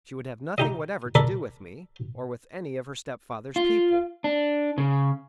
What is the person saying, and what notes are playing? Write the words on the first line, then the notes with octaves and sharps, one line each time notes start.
She would have nothing whatever to do with me, or with any of her stepfather's people.
D#4 G4 D#5
A4 A#4 D5 B5 D6
F4
D4
C#3